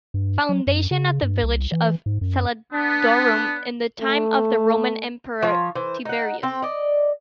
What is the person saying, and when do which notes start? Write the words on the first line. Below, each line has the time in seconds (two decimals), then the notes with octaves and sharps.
Foundation of the village of "Salodurum" in the time of the roman emperor Tiberius.
0.14 G2
0.49 F#3
0.67 F#2
0.91 C#3
1.22 G2
1.43 C2
1.72 E3
2.06 G#2
2.21 F#2
2.72 B3 D4
4.00 A3
5.42 F3 C#5
5.75 E3 C5
6.05 D#4 F#5
6.43 C4 G5
6.62 D5 D#5